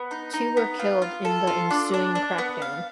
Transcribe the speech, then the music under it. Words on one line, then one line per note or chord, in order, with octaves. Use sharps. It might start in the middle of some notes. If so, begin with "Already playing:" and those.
Two were killed in the ensuing crackdown.
Already playing: B3
D#4
D#4
B3
F4
F4
A4
F4
D4
D4
D4
B3
F5